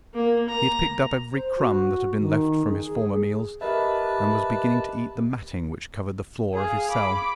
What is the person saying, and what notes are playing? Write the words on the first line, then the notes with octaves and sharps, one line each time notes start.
He had picked up every crumb that had been left from his former meals, and was beginning to eat the matting which covered the floor of his cell.
A#3
A#5
C5
F#4
D#3
G#4
G4 A#4 B4 D#5 E5 A5
G#4 F5
B5 D6